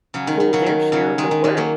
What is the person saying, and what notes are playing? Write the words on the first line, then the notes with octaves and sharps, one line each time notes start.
pull their share of the work,
C#3 F#3
D#3
D#3
C#3 F#3
D#3
C#3 F#3
D#3 G#3
D#3
D#3 G#3
F#3 A#3